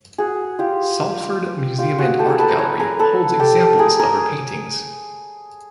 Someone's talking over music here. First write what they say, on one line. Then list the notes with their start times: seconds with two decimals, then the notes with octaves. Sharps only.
Salford Museum and Art Gallery holds examples of her paintings.
0.18 F#4 G#4
0.59 F4 G4
1.79 F4 G4
1.99 F#4 G#4
2.19 G4 A4
2.29 G#4 A#4
2.39 A4 B4
2.49 A#4 C5
2.59 B4 C#5
2.79 G#4 A#4
2.99 A4 B4
3.40 G4 A4
3.79 G#4 A#4
3.99 G#4 A#4